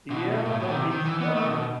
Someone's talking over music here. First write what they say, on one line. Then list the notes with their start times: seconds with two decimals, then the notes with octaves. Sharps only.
Yeah, but it's, um
0.11 B2
0.31 B2
0.45 A2
0.60 B2
0.69 D#3
0.75 C3
0.90 D#3
1.05 E3
1.20 B3
1.35 A3
1.45 C3
1.50 B2